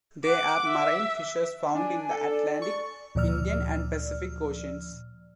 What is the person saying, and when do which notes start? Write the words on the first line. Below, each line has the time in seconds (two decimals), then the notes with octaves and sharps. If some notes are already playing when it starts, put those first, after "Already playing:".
They are marine fishes found in the Atlantic, Indian and Pacific Oceans.
0.24 F#5 D6
0.66 E5
1.75 D4 G#5
2.11 A4
2.28 D5
2.62 C#6
3.15 D2 A#2 F3 D5 E6 F6